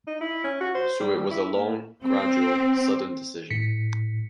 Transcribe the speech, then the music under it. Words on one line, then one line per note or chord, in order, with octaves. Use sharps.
So it was a long, gradual, sudden decision.
D#4
E4
C#4
F#4
C5
G3
G3
E4
A#3
C4
A2 B6 C#7